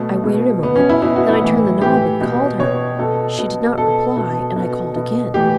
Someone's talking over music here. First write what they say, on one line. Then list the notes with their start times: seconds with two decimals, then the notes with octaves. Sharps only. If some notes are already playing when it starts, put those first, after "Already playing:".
I waited a moment, then I turned the knob and called her: she did not reply and I called again.
Already playing: B2 A3
0.24 B2
0.63 B2 B3
0.76 C#4
0.89 E4
1.02 B2 E4
1.16 F#4
1.29 E4
1.41 A2 E3
1.81 A2 E3 G4
2.21 B2
2.59 B2 C#5
2.99 B2 A4
3.38 B2
3.77 B2 A4
4.17 B2
4.56 B2
4.96 B2
5.34 A2 E3 G4